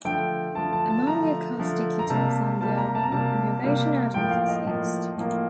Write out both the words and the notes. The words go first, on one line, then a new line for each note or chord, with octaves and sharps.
Among the acoustic guitars on the album, an Ovation Adamas was used.
D3 F3 A3 G5
D3 F3 A3 A5
A5
A5
D3 F3 A3 A#5
D3 F3 A3
A#5
C3 G3 A#3 A5
C3 G3 A#3 A5
A#5
A5
A#5
C3 G3 A#3 A5
C3 G3 A#3
A2 F3 A#3 G5
F5
D#5
A2 F3 A#3
A2 F3 A#3